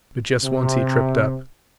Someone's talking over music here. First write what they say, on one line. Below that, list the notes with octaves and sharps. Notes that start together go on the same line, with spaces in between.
But just once he tripped up.
C3